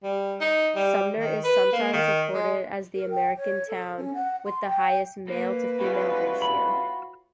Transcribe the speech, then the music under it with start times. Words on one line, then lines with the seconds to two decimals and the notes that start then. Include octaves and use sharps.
Sumner is sometimes reported as the American town with the highest male-to-female ratio.
0.03 G3
0.40 D#4
0.75 G3
1.17 D#3
1.44 B4
1.73 A#3
1.93 D#3
2.34 G#3
2.95 A#4
3.11 G5
3.37 C#5
3.68 A4
3.98 C#4
4.14 F#5
4.46 C6
4.65 G5
5.28 A#3 B4
5.79 A2 C#3 G3 G#3 F4 F#4
6.42 B5